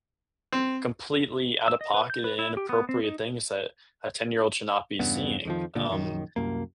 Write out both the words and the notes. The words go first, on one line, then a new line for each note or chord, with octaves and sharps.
completely out-of-pocket and inappropriate things that a ten-year-old should not be seeing, um,
C4
E6
D#5
B4
G6
B4
E4
G4
B3
C4
D#4
E2 G2 C#3 B3
F2 D#3 F3
C#2 A#2 D3
A#1 F#2 D#3
C2 F#2 A#3